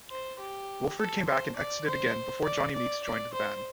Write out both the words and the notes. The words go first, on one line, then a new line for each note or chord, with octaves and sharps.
Williford came back and exited again before Johnny Meeks joined the band.
C5
G4
A4
C5
D5
C5
D5
D5
D5
C5